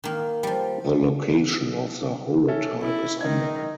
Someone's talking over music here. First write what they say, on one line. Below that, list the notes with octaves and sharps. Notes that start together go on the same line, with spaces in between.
The location of the holotype is unknown.
D#3 A#3
F3 G3
C#4 A4 E5
E4
D#3 G#6